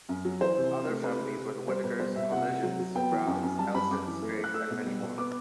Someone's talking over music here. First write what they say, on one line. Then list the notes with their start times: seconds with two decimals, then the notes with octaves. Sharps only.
Other families were the Whitakers, Collisions, Browns, Elstons, Drakes and many more.
0.09 F#2
0.25 F#3
0.41 E3 C5
0.57 C3
0.72 C3
0.88 A3
1.04 C3 B4
1.20 C3
1.37 C3
1.52 C3
1.68 G3 C5
1.84 B2 B4
2.00 G3 C5
2.16 B2 E5
2.32 C3 F#5
2.48 C3
2.63 F#3
2.79 F#3
2.95 B3 G5
3.11 E3
3.27 F#2
3.43 F#2
3.59 G3 A5
3.74 F#2 B5
3.91 F#2 D6
4.07 E3
4.22 A3
4.38 A3
4.44 F#6
4.54 A3 E6
4.70 B2
4.86 G3
5.02 B2
5.18 B3 D6